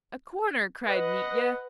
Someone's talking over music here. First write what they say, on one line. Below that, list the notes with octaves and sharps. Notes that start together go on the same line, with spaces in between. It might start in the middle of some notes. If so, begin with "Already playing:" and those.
"A corner!" cried Mitya.
B4 D#5 F#5